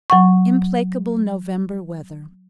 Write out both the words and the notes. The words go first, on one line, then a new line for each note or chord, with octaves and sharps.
Implacable November weather.
F#3 F#5 C#6